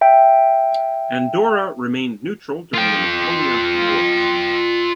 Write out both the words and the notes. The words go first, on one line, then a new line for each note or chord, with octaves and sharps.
Andorra remained neutral during the Napoleonic Wars.
E5 G5
F4 G5